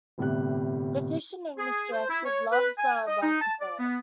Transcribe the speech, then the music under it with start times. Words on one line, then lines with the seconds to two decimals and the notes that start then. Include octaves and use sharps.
Deficient and misdirected loves are about to follow.
0.18 G1 A2 C3 G3 F#6
1.58 G#4
1.92 C5
2.09 E4
2.25 C#5
2.52 B4
2.78 G#5
3.07 D#5
3.22 D#4
3.42 A5
3.61 D5
3.79 B3